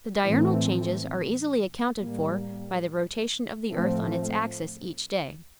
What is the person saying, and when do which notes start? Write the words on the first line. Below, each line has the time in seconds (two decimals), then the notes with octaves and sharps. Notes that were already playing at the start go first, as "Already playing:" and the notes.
The diurnal changes are easily accounted for by the rotation of the earth on its axis each day.
0.24 A2 E3 A3 C4
1.97 A2 G3 A#3
3.70 A2 F3 A3 C4